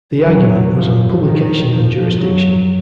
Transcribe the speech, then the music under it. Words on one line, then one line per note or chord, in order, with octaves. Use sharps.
The argument was on publication and jurisdiction.
F2 F#3
F#2 F3
F#2 D#3
F2 F3
F#2 F#3